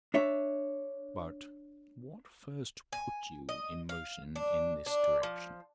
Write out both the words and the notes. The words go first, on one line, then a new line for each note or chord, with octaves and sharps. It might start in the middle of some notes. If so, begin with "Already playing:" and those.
"But what first put you in motion in this direction?"
D4 C#5 E5
G#5
D#5
F5
D4
D4
F3